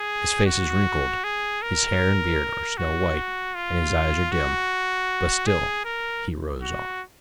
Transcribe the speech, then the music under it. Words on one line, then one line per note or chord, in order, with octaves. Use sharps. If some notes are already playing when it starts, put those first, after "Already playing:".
His face is wrinkled, his hair and beard are snow white, and his eyes are dim; but still he rows on.
Already playing: G#4
F#4
G#4
A#4
F#4
F4
F#4
G#4
A#4
F#4